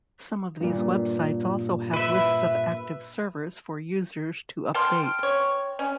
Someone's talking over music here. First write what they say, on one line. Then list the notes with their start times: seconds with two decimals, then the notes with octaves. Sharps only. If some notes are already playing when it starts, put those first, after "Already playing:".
Some of these websites also have lists of active servers for users to update.
0.60 G2 A#2
1.94 B4 E5
4.74 G5 A5 C6 F6
5.23 C#5
5.79 C#4